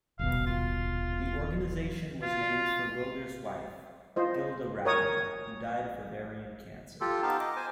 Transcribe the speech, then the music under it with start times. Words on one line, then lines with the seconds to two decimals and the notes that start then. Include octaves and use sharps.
The organization was named for Wilder's wife, Gilda Radner, who died of ovarian cancer.
0.19 D#1 G#1 B2 F5
0.46 F4
2.22 F4
4.16 F4 C5 D#5
4.85 A#4 C#5 D#6
7.01 F4 G4 A4
7.22 B3 D#4 G4 F5 A5
7.40 D#5 D6
7.56 C5 G#5